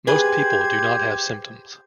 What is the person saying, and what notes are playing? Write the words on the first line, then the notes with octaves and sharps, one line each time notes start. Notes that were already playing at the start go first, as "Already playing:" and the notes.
Most people do not have symptoms.
G4 G#4 B4 C5 G#6